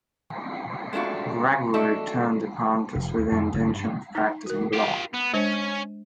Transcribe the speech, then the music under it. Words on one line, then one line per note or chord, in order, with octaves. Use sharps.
Gregory returned to Pontus with the intention of practising law.
G#3 A3 D4 F4 F#4
A3 D4 F#4 A4 D#5 E5
F1
D#2
F2
F#1
G2
D#4
F#4 A#4
F4 G4
B3
G#3 C#4 D4 C5